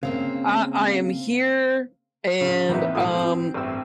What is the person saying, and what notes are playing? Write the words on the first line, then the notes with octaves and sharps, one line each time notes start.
I I am here, and, um
C#3 A#3 C4 F5
C#3
E2 A#3 C4 D#4 E4 B4
G#2 B2 F3 A4 D#6
C4
A1 G2 C4 E6